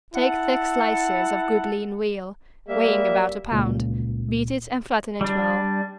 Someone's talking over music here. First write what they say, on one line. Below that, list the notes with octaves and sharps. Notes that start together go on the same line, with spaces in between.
Take thick slices of good lean veal, weighing about a pound, beat it and flatten it well.
E4 F#5 A5
G3 A#3 E5
C#2 A#2
G3 D4